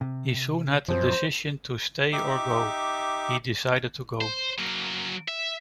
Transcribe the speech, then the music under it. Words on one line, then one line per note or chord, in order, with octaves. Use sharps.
He soon had the decision to stay or go, he decided to go.
C3
F#2 F3 C4 C5
D#4 G4 E5 D6
C5
F#3 A#3
E5